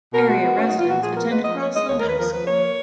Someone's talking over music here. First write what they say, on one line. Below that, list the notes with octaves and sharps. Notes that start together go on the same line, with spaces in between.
Area residents attend Crossland High School.
B2 A#4
G#3 F#4
B3
B3 C#4
D#4
B3
F4
A#2 F#4
F3 G#4
B3 A#4
G#3 B4
F3 D#5
B3 C#5
G#3 D#5
D#2 C#5
A#4
D#2
B4
F3 A#4
F3 B4
A#3 C#5